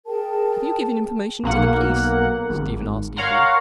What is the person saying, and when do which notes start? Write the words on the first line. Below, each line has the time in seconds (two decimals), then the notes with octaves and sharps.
"Have you given information to the police?" Stephen asked eagerly.
0.07 G#4 A#4 G5 A5
1.43 B1 A#3 F#5
2.50 G#1
3.16 A#4 C#5 F5 F#5 A#5 C6